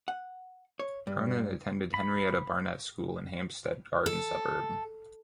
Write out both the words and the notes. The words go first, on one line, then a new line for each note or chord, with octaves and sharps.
Cronin attended Henrietta Barnett School in Hampstead Garden Suburb.
F#5
C#5
G2
B5
A4